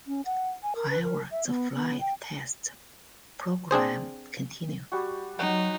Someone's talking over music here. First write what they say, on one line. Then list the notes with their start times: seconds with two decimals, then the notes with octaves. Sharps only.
However the flight test program continued.
0.07 C#4
0.26 F#5
0.63 G#5
0.76 A#4
0.90 B4
1.03 A#4
1.31 E5
1.47 B3
1.75 B3
2.01 G5
3.71 C4 D4 G#4 C5
4.92 G3 F#4
5.39 F#3 D#4 F#5 G5 C#6